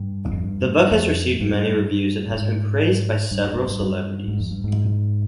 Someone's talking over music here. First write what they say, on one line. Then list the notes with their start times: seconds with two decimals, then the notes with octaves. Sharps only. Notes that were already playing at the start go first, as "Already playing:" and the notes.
The book has received many reviews and has been praised by several celebrities.
Already playing: G2
0.33 F2
0.44 G2
0.91 F2
1.40 G2
2.31 A#2
2.35 G#2
3.31 G2
3.44 G2
3.56 G2
3.68 G2
3.80 G2
4.28 G#2
4.40 F2
4.51 G2
4.64 G#2